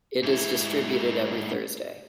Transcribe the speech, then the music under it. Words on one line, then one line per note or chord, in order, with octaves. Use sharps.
It is distributed every Thursday.
G#2 E4